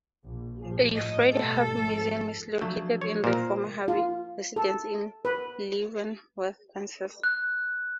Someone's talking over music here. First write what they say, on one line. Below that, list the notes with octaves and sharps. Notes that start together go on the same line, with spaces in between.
A Fred Harvey museum is located in the former Harvey residence in Leavenworth, Kansas.
A#1
G2 A#2 F3
A2 D#5
B2 G3 A3 A4
G#1 F2
D3 F3 F#3 A3
C#5
A#2 A#4 C5
F4
A4
B4
F#6